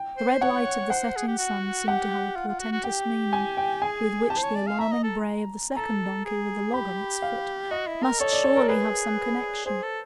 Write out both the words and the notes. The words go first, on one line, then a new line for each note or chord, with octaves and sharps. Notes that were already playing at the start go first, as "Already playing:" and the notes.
The red light of the setting sun seemed to have a portentous meaning, with which the alarming bray of the second donkey with the log on its foot must surely have some connection.
Already playing: G5
C5
C#5 F#5
C5 F#5
G#4
G4
F#4
G4 F#5
F4
F4
F#4
F#4
G4 G5
G#5
G5
G#4 G#5
G4 A5
C5
C#5
D5
F5
E5 A#5
D#5
A4
A4 A#5
G#4
G4 B5
F5
F#4 D#5
E4
A#4
A4 C#5
D5
C#5
A#4
G#4 B4
G#4 C5
A4